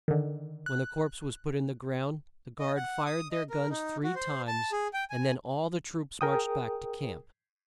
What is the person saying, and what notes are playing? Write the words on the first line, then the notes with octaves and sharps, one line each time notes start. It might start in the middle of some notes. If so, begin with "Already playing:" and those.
When the corpse was put in the ground, the guard fired their guns three times, and then all the troops marched back to camp.
D3 D#3
F#6
D#5
F#5
D#6
D#5
A#4
D#4
F#4
C5
A5
G#4
G5
G#5
G#4 A#4 G5 D#6